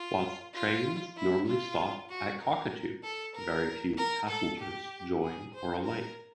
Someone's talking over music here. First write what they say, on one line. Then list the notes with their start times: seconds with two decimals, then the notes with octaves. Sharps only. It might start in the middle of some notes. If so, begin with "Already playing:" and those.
Whilst trains normally stop at Cockatoo, very few passengers join or alight.
Already playing: F4
0.54 F4
1.17 E4
1.47 F4
2.09 F#4
2.40 A#4
3.03 A4
3.35 A#4
3.97 A#4
4.29 A4
4.59 G4
5.22 G#4
5.54 C5
5.85 A#4